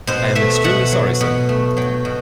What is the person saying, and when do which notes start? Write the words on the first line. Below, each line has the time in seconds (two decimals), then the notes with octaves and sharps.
I am extremely sorry, sir.
0.07 B2 C5
0.35 A3 E5
0.55 E5
0.64 B2 F#5
0.92 F#3
1.21 B2
1.49 A3
1.77 F#3 G5
2.05 B2